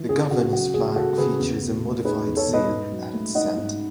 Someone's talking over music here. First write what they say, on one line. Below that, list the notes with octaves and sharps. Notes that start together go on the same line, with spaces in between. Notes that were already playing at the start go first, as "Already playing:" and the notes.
The Governor's Flag features a modified seal at its center.
Already playing: E3
C#2 G#4
C#3 F#4
F#3 F#4
C#2 G#4
C#2 F#4 A4
C#3 G#4 B4
E2
B2
A3
D#4 G#4 B4
E2
A4 C#5
B2
B4 D#5
G#2
F#3
A3
D#4 D#5 F#5
G#2